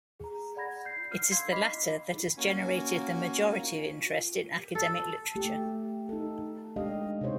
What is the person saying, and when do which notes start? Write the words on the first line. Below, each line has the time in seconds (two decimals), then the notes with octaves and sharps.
It is the latter that has generated the majority of interest in academic literature.
0.20 G#4 A#5
0.56 D5 F#5 B5 G#6 A#6
0.85 G6 C7
1.12 F6 C7
1.31 F5 C6 E6 G#6 C7
1.51 D4 D#5 B5 D6 B6 C7
2.37 A#3 C#4 F#4 G#5
4.75 A4
5.36 A3 G4
6.09 D#4 A4
6.76 G#3 D4 G4 D#5 F5
7.21 C3 D#4 C5 C#5